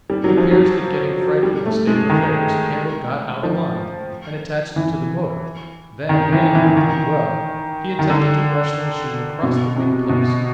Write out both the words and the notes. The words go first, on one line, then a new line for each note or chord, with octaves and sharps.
It appears that getting frightened of the state of affairs Campbell got out a line and attached it to the motor--then manning the line well he attempted to rush the machine across the weak place.
G3
F#3
F3
F#3
G3
A3
G#3
D#3
F3
E3
D#3
E3
E3
E3
D#3
D#3
D3
B2
C3
B2